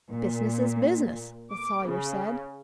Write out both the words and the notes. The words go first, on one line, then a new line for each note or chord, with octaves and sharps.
"Business is business," the Sawyer said.
A#2
D6
C#3